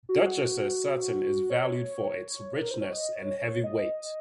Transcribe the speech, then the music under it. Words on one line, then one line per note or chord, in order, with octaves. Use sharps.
Duchesse satin is valued for its richness and heavy weight.
F#4
C#5
A#4
C5
C#5
D#5
C#5
C#5
D#5